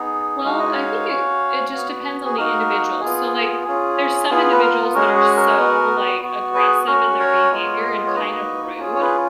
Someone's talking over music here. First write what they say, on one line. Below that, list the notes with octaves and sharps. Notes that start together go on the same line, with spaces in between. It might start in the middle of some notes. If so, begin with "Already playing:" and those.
Well, I think it it just depends on the individual. So, like, there's some individuals that are so, like, aggressive in their behavior and kind of rude,
Already playing: B3 D#4 G#4
G#3 D#4 F#4 F5
D#5
C#5 F5
C#4 F#4
B3 F#4
G#4
A#3 D#4 F#4 A#4
B3 F4 G#4
C#4 F4 G#4
B3 F4 G#4
B4
A#4
G#3 C#4 F#4 A#4
G#4
A#4
B3 F#4
B3 F#4
G#4 B4
C#4 F#4 A#4
A#4 C#5
G#3 B3 F4
C#5
A#3 D#4 F#4 B4 D#5
C#4 F4 G#4
C#5
G#4 B4